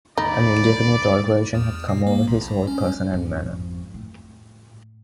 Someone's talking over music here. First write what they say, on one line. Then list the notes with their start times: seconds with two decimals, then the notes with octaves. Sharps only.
An indefinite alteration had come over his whole person and manner.
0.18 D#2 G#2 D3 D#4 D5 B5
1.54 E2
1.88 B2
2.07 A#3
2.28 B1
2.41 A#1
2.67 C#4
3.11 G#1 F2
3.94 A2